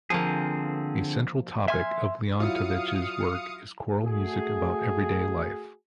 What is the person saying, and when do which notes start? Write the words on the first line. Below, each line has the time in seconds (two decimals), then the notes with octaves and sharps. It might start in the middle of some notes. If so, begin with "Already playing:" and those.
A central topic of Leontovych's work is choral music about everyday life.
0.10 D3 F3 A#3 C4 G#4
1.68 E5 G#5 C6 F6
2.40 F#3 E4 F4 F5 D#6 C#7
4.04 A3 F#4 G#4